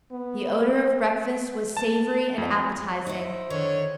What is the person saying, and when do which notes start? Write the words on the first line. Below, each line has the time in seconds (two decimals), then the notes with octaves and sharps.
The odor of breakfast was savory and appetizing.
0.11 B3
1.77 A5
2.38 F2
3.07 D#4 E4 C5
3.50 D3 D#3 D#4 C#5